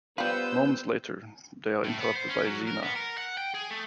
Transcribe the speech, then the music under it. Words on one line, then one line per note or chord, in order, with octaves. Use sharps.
Moments later, they are interrupted by Zeena.
G3 B3 F4 B4 C5 E6 G6
A2
B3
C5
C#4
F#3
A#4
B3
A#4
F#5
G5
G#4
A3